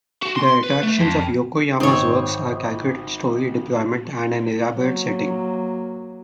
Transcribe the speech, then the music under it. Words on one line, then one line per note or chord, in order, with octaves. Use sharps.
The attractions of Yokoyama's works are calculated story deployment and an elaborate setting.
F#4
C6
B4
A3
F2
G#1 C4 C#5 D#6
F#3 A#3